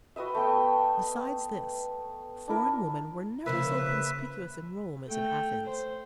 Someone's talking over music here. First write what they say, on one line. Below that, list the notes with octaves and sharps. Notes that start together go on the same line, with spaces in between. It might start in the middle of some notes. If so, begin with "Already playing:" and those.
Besides this, foreign women were never so conspicuous in Rome as in Athens.
F#4 B4 D#5 E5
A3 B3 G5 C#6
D4 E4 A#4
C#3 F3 A#3 B4 E5
A3 G5
C5